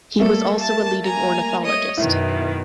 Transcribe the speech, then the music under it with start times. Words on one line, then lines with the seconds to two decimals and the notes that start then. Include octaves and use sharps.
He was also a leading ornithologist.
0.19 G3 A3 A#3 A4
0.59 A5
1.04 G#5 A#5
1.62 C#5 D#5 D#6
1.97 F#2 B2 D#3 E4